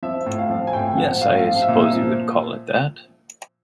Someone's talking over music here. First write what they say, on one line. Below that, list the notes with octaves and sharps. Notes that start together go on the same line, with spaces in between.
Yes, I suppose you could call it that.
F3 E5
A2
F5
F3
G#5
A2 G5
F3 F#5
A2 F5
F3 F5
F5
E5
A#2
E5
F3